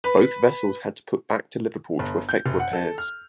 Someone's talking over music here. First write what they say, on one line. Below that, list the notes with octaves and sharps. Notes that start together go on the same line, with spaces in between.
Both vessels had to put back to Liverpool to affect repairs.
B4
G1
G6
F#1
F#5
A4
F6